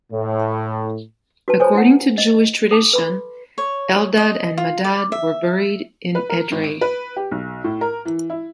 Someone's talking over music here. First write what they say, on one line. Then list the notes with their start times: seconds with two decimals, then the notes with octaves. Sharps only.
According to Jewish tradition, Eldad and Medad were buried in Edrei.
0.11 A2
1.48 F#4 B4 A5
1.60 A4 C5 C#5 G#5
1.75 E4 F#5
2.18 D#5
2.71 A4 A5 D6
2.93 B4 B5 C6
3.58 C#5
4.17 D#5
4.58 F4
4.84 D5
5.12 E5
6.15 B4
6.30 A#4
6.52 G#1
6.64 D7
6.81 B4
7.16 G4
7.31 B1
7.64 A2
7.81 A#4
8.05 E3
8.30 E4